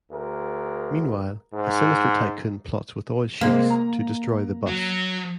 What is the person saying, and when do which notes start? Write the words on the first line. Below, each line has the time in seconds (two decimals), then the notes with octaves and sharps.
Meanwhile, a sinister tycoon plots with oil sheikhs to destroy the bus.
0.10 D2 G#4 A#4
1.53 G#2
3.41 C3 G#3 A#3 C4
3.70 A#5
4.67 F#3